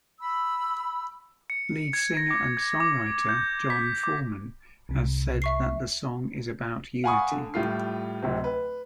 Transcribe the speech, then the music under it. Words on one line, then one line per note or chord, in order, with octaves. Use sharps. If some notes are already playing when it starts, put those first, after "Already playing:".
Lead singer and songwriter Jon Foreman has said that the song is "about unity".
B5 E6
C#7
G#6
A#6
D6
G#6
D6
G6
B6
D6
C2 C3
E5 C#6 C7
F5 F#5 G#5 B5 C#6 D#6
D3
A2 G3 F4 C7
D1 C3
B4